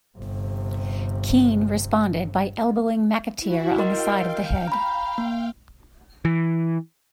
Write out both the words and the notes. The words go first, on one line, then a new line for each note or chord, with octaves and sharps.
Keane responded by elbowing McAteer on the side of the head.
G1 C3
E4 F#4
A#4 D#5 F5 G5 C6
A#5 B5
A#3
E3